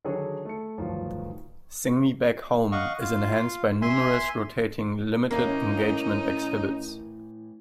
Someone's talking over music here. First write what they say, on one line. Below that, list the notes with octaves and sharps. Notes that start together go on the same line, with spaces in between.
"Sing Me Back Home" is enhanced by numerous, rotating limited-engagement exhibits.
D3 D#3 F#3 G#4 C#5
A3 C#7
G1 D2 D#3 F3 F#3
D#5 F5 F#5 C#6
F4 F5
E5 G#5 C6
A2 E3 A#3 C#4 D#4